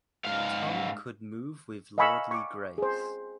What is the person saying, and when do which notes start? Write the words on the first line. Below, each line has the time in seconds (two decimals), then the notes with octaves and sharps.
Tom could move with lordly grace.
0.25 G#2 F5
1.98 D#5 F5 G#5 B5 C#6 E6
2.31 C#6 D6
2.78 G#4 C5